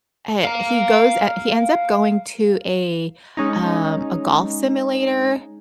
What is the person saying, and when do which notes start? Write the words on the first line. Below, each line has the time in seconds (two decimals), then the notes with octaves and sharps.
uh he goes he ends up going to a, um, a golf simulator,
0.44 F5 A#5
3.37 G#3 C#4 D#4